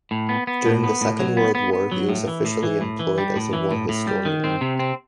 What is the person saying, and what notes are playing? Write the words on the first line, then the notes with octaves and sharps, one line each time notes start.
During the Second World War he was officially employed as a war historian.
A2
B3
B3
A2
B3
A2
F#3
B3
B3
B3
F#3
A2
E3
A2
E3
A2
E3
G3
A2
E3
A2
A2
G3
D#3
C4
C3
C4